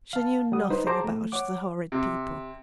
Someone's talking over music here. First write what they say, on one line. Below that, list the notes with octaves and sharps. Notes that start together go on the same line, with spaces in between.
She knew nothing about the horrid people.
F5 A5
G3 F#5 D#6
D#4 B4 C5
F#4 G#4 C5 A5 A#5 D6
A3
C#5 F#5 D6
C3